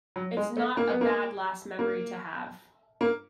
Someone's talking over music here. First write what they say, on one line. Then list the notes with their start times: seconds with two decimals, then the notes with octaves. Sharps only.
It's not a bad last memory to have.
0.16 F#3
0.37 G#3
0.57 A3
0.77 A#3
0.89 B3
1.01 A#3
1.79 A#3
3.01 A#3